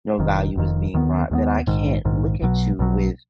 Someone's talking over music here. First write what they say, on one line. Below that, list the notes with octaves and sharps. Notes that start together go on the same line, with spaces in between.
no value is being brought, then I can't look at you with
F1 F2 D#3
F1 F2 D#3
D#2 D#3 G#3 B3
D#2 D#3 G#3 B3
A#1 G#2 D#3
A#1 G#2 D#3
B1 B2 F#3
B1 B2 F#3